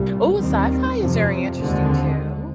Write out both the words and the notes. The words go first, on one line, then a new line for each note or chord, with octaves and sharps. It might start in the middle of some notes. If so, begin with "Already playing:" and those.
Ooh, sci-fi is very interesting, too.
Already playing: C2 A#2 G3
D#2 D#3 G3 C4
F2 C3 F3 C4
D#2 D3 G#3 C4